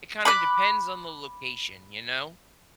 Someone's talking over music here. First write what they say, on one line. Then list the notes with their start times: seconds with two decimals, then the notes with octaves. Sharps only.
it kinda depends on the location, you know?
0.25 B5 D6 F#6